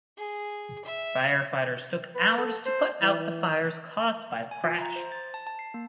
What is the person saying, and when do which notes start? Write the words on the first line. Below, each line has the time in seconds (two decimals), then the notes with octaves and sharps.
Firefighters took hours to put out the fires caused by the crash.
0.18 G#4
0.85 E5
2.15 B4
2.38 A4
2.66 C5
3.01 E3
3.19 E3
4.51 G#5
4.64 F4
4.82 A#5
4.96 C5
5.12 A6
5.34 A5
5.47 A5
5.59 C7
5.74 A#3